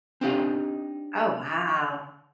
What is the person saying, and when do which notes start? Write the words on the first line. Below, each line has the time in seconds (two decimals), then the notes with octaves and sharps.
Oh, wow.
0.21 C4 D4 D#4 G4 F5